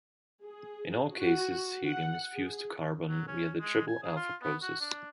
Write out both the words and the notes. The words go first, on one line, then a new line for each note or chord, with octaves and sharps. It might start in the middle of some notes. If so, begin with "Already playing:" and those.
In all cases, helium is fused to carbon via the triple-alpha process.
G#4
F#4
F#5
G#4
F#3
C#4
G#3
G#5
G#4
F4
B3
F#4
D4